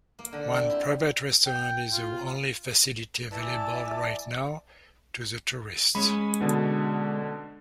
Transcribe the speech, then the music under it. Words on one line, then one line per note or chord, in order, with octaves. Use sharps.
One private restaurant is the only facility available right now to the tourists.
A#3
D3
C4
E4
G5
F4
E3 D5 E5 G#5 A5
G#3 C#4 B5
B2 D3